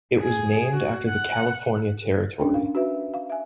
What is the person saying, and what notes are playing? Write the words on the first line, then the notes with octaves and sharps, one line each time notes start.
It was named after the California Territory.
G#4
F#4
F#5
C#4 D4 A#4 G5
F5
F#4 B4 E5
F5
E5 G#5